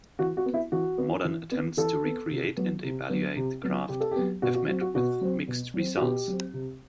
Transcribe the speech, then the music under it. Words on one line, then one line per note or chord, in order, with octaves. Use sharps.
Modern attempts to recreate and evaluate the craft have met with mixed results.
E3 F#4
F#4
B3
E4
E3 F#4
B3
E3
B3
E3 A4
B3
C3
F#3 B3
C3
F#3 B3
C3
F#3 B3
C3 G4
A4
G4
F#3 B3
B2 F#4
F#4
F#3 C4 F#4
F#4
B2 F#4
F#3 C4
B2
F#3 C4
F#4
B2 G4
F#3 C4
C3